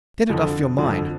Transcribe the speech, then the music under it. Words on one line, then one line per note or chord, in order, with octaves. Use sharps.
Get it off your mind.
F2 D3 F3
F2 D3 F3